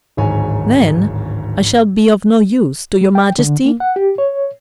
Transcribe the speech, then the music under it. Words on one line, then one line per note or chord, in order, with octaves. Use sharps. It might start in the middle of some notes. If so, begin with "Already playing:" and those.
"Then I shall be of no use to your majesty?"
D1 G#1 G#2 C#5 G#5
G3
G5
D3
A#3
F#5
G4
C#5